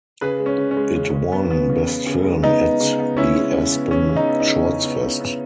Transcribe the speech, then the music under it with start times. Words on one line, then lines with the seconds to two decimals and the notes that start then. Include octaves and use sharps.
It won "Best Film" at the Aspen Shortsfest.
0.21 C#3 G#4 B4
0.40 G#3
0.46 C#4
0.58 C#3
0.71 C#4
0.77 G#3
0.95 C#3
1.14 G#3
1.32 B3
1.51 B3
1.69 C#3
1.87 B3
2.07 C#3
2.24 G#3
2.43 B3 D#4
2.62 B3
2.80 C#3
2.99 B3
3.17 C#3 C#4 E4
3.36 G#3
3.54 C#3
3.72 B3
3.91 C#3 C#4
4.09 C#3
4.16 D#4
4.29 B3
4.40 D#4
4.47 C#3
4.65 C#3
4.84 B3
5.02 C#3
5.20 B3